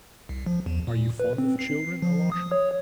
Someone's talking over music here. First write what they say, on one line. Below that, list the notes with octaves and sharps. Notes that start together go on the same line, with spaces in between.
Are you fond of children, Alyosha?
C2
F3
E2
A#2
B4
C4
C7
F3
D#6
C#5